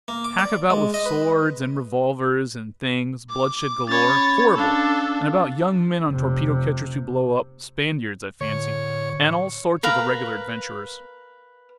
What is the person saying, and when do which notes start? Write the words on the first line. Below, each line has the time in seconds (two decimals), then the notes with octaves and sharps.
Hack about with swords and revolvers and things--bloodshed galore--horrible!--and about young men on torpedo catchers who blow up--Spaniards, I fancy--and all sorts of irregular adventurers.
0.08 A#3
0.25 D6
0.39 D5
0.70 G#3
0.94 D#5
1.06 B4
3.30 D6
3.89 C#4 C#5 B5 A6
4.56 C#4 D4 A4 F5
6.09 F1 C3
8.41 A2 D3 C#5
9.83 A#4 B4 F5 A#5